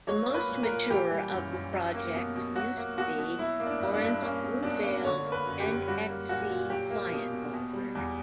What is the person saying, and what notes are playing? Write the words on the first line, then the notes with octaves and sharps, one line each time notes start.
The most mature of the projects used to be Lawrence Roufail's "nxc" client library.
F#3 C#5
A#3
B4
A#2
A#4
A#2
E3 G4
G3
F#2
F#2
F#3
A#3
B2
B2
F#3 F#4
A#3
B2 F#4
B2
F#3 E4
A#3
D4
G2
D4
G2
A#3 C#4
B2
B2 D4
A#3
D3 C#5
A#3
B4
F#2
G4
F#2
G3 F#4
A#3
A#2 F#4
A#2
F#3 G4
A#3
B2
B2
B2
G3
E2